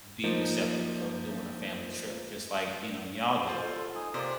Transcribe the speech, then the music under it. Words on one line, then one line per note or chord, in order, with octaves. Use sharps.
be receptive of doing a family trip just like, you know, y'all do.
F3 A#3 D#4
F4 C5 C6
A4
D#4 G#5 D#6
C3 A#3 F4 C5 D5